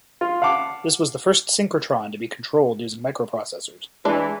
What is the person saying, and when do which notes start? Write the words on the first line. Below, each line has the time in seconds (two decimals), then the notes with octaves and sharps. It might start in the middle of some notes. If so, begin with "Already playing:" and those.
This was the first synchrotron to be controlled using microprocessors.
0.21 F4
0.42 F5 F#5 A5 D6
4.05 E3 G#3 D4